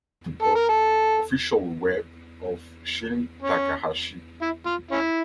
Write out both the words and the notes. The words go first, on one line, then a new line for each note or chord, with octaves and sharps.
Official web of Shin Takahashi.
A4
A#4
A4
C#4
E4
F4
C#4 E4